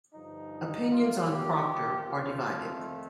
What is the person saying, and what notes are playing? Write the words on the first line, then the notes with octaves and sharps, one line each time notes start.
Opinions on Procter are divided.
G2 D3 F3 D#4
D#2 D3 F3 A3 F4
G4
D#2 D3 F3 A#3
F4
F2 D#3 A3 C4